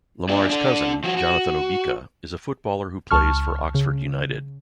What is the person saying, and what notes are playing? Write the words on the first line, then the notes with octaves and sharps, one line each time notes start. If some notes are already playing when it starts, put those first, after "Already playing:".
Lemar's cousin, Jonathan Obika is a footballer who plays for Oxford United.
D4 F4
D4 A4
F3 F#4
F#4
C#2 A5 C#6 F6
C#3